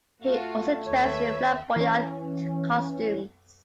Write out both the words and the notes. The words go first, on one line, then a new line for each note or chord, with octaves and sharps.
He also dressed in flamboyant costumes.
A3 F4 F#4
D#2 B4 C#5 E5
E3 C#4